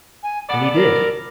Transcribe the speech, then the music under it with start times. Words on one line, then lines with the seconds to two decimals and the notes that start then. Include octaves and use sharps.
And he did.
0.23 G#5
0.49 B3 A4 D5 F#5
0.75 A#4